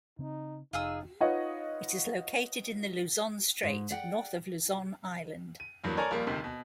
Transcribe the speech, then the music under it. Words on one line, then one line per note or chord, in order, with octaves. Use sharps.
It is located in the Luzon Strait north of Luzon Island.
C#3 C4 D#4
F1 D#4 F4 G#4 E6
D#4 F4 B4 C#5 D#5 F#5
G#2
D5 F#5 G5
D#7
E2 G2 F#3 A#3
A4 A#4 C#5 D5 G#5 A#5
A#1 G3 A#3
G#1 D2 C3 D#3
B2